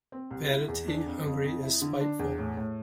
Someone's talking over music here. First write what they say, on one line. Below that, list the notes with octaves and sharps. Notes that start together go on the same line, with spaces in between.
Vanity hungry is spiteful.
C4
C2
E4
E2
D4
F2
F2
F2
E4
D3
D4
E2
A2
A2